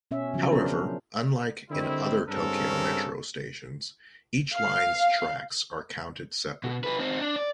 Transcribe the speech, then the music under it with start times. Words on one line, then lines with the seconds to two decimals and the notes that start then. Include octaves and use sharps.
However, unlike in other Tokyo Metro stations, each line's tracks are counted separately.
0.11 B2 C#4 E5
0.33 C#3 F3 F#3
0.51 B3 D4 A#4 C5
1.70 D3 D#3 G3 C4 E4
2.28 G2 C#3 G#3 C4 A4 A#4
4.56 F5
6.64 B2
6.84 D#4 B4
6.99 C4 D#4
7.21 D4
7.36 D5